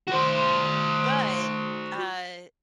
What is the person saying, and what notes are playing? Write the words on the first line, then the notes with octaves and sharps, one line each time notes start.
But, uh,
F#4 C5